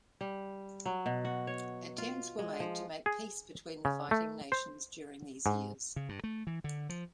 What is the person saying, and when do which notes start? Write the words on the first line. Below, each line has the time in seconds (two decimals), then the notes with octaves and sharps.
Attempts were made to make peace between the fighting nations during these years.
0.21 G3
0.86 F#3
1.06 B2
1.25 F#4
1.47 C#5
1.98 F4
2.39 G#3
2.60 F3
3.06 G#4
3.85 C#3
4.11 A3
4.52 C5
5.46 G#2
5.96 C#3
6.09 G2
6.24 A3
6.47 E3
6.64 D3
6.89 F3